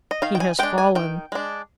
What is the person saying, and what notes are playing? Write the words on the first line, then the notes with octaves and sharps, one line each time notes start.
He has fallen.
D#5
D#3 F5
G5
G#5
G#3 D4 G5
G#5
D#3 G5
G#3 D4